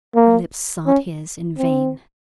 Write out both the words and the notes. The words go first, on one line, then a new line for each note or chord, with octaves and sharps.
Her lips sought his, in vain.
A#3
C#4
C4